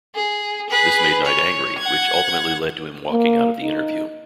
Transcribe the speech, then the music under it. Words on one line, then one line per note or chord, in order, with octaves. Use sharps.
This made Knight angry, which ultimately led to him walking out of the interview.
G#4
G#4 B4
C#5
F#5 G#6
A#3
D#4